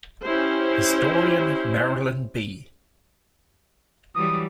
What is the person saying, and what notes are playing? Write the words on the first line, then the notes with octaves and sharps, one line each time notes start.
Historian Marilyn B.
C#4 E4 G4 C5
E3 F#3 G3 D#6